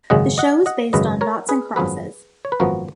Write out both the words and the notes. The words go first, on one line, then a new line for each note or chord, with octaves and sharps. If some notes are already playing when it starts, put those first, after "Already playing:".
The show is based on noughts and crosses.
G#1 F#2 C#3 G#3 D#5 F#5
D#5 F#5
D#5 F#5
G#1 F#2 C#3 G#3 B4 D#5
A#4 C#5
G#4 B4
G#1 F#2 F3 B3 G#4 B4
C#5
B4
G#1 F#2 F3 B3 F#4 A#4